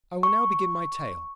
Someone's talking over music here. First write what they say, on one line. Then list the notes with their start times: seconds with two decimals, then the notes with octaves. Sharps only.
I will now begin my tale.
0.23 C#6